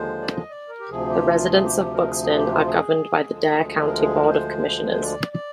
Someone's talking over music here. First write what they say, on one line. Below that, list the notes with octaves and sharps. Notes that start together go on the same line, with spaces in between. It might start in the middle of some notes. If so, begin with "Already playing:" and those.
The residents of Buxton are governed by the Dare County Board of Commissioners.
Already playing: D#2 D3 F3 G#3 C5
D5
D#5
D5
A#4
G4
D2 C3 F3 G#4
G4
F4
G#4
G4
G4
A#4
G#4
G#4
G4
F4
G#4
D2 D3 F3 G#3
A#4
G#4
A#4
C5
C5
D5
D5